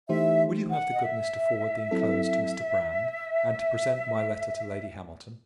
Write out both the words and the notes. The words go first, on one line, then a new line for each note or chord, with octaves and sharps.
Will you have the goodness to forward the inclosed to Mr. Brand, and to present my letter to Lady Hamilton?
E3 A3 D#4 G4 C5 E5
F#5
D#5
E5
F#3 C4 E4 A4